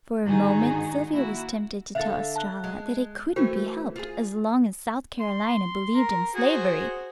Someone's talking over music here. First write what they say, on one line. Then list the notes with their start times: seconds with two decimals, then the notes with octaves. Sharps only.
For a moment Sylvia was tempted to tell Estralla that it couldn't be helped, as long as South Carolina believed in slavery.
0.25 G#2 D3 D#3 D#4 F#4 G#4
1.12 A#3 E4 F#4
1.95 D3 A4 E5 F5 A6
2.36 A5 F#6
2.64 G#3
3.36 E3 A3 F#4 A#4 C5
3.96 F4 G#4
5.20 C6
5.95 A#4
6.35 F#4 G#4 C5